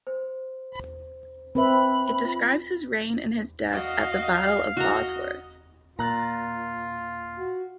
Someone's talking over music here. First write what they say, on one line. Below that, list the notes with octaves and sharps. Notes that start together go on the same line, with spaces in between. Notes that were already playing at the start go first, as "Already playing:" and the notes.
It describes his reign and his death at the Battle of Bosworth.
C5
C4 B4 E5 B5
F4
F#4 D#5 F5
F#4 D#5 A#5
A#2 F4 A#5 F#6 A6
F#4